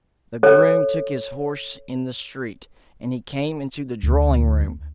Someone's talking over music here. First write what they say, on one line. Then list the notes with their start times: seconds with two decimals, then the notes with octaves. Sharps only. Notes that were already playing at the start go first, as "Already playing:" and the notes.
The groom took his horse in the street, and he came into the drawing-room.
0.43 A4 C#5
4.03 D2